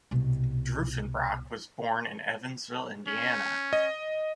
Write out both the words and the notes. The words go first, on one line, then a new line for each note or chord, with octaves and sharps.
Drufenbrock was born in Evansville, Indiana.
C2 B2
C#4
D#5